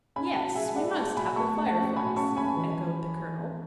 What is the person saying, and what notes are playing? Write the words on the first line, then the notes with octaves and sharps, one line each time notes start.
"Yes, we must have the Fireflies," echoed the colonel.
C#4 G#5 B5
B2 F#5 A5
G#3 E5 G#5
G#3 D5 F#5
G#3
B2 G#5 B5
A3 A5 C#6
A3
F#5 A5
C#4
B2 G#5 B5
C#4 A5 C#6
C#4 G#5 B5
E3